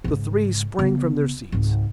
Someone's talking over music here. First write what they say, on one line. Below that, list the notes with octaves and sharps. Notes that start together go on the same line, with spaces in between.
The three sprang from their seats.
G#2 C#3
C#3 B3
G#1 C#2